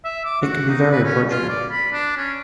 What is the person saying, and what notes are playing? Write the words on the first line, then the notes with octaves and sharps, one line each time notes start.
It can be very approachable.
E5
D6
F#4
D#4
B4
C#4
F4
D5
B5
D4
C#4